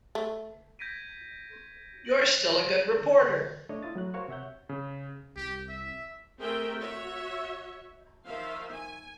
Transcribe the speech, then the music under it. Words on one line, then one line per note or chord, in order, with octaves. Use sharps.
You're still a good reporter.
A3
G6 G#6 A#6 B6 D7 D#7
F#6 A6 A#6 D7 F#7
F#6
A3 D4 C#5 D#5
E4 F4 D#6 A6
F#3 A3 F#4 F#6
F#4 A#4 C5 C#5 F5 C#6
C3 C#5 E5 F#5 G6
C#3
C2 G4
E5
A3 C4 G#4 A#4 E5 G5
F#4 C#5 E5
D#3 F3 E5 F5
G#5